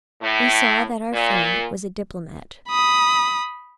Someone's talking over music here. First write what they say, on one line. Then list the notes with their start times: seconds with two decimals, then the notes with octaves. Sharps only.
We saw that our friend was a diplomat.
0.21 A2
1.13 A#2
2.69 B5 D#6